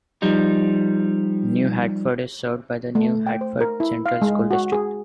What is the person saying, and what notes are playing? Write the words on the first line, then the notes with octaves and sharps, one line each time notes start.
New Hartford is served by the New Hartford Central School District.
F3 G3 D#4
A3
G5
C5
A#4
E4
F5
G#3
F#4
G#4